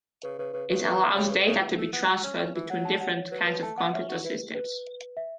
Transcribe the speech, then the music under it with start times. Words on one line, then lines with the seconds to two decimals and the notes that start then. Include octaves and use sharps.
It allows data to be transferred between different kinds of computer systems.
0.23 C#3 B4
0.39 C#3 B4
0.54 C#3 B4
0.69 C#3 B4
0.85 E3 B4
1.16 C#3 C#5
1.31 B4
1.46 C#3 E5
1.62 E3
1.71 F#3
1.78 A3
1.93 B3
2.08 F#4
2.24 C#4
2.39 C#4
2.55 E3
2.70 F#3 F#5
2.85 A5
3.01 F#5
3.17 C#5
3.31 F#3 B4
3.47 F#3 B4
3.62 A3 A5
3.78 B3 F#5
3.93 C#4 E5
4.09 F#4
4.24 E4 B4
4.55 B4
5.17 E5